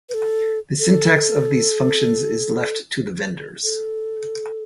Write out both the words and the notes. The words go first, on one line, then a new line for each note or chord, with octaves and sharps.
The syntax of these functions is left to the vendors.
B4
A4
A4
A4